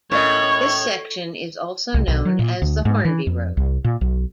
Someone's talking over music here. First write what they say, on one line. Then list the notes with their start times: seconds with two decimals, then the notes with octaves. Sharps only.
This section is also known as the Hornby Road.
0.11 A2 C#4 A#4 C#5 D#5 C#6
1.94 C2
2.08 B1
2.25 F#3
2.39 A#2
2.62 D2
2.85 G#2
3.05 E3
3.27 F2
3.57 C2
3.84 A#2
4.01 B1